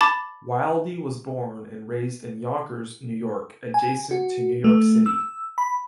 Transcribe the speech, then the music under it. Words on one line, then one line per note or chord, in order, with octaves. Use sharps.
Wildey was born and raised in Yonkers, New York, adjacent to New York City.
A5 B5 D6 A6
G#5
F#4
A3
E6
B5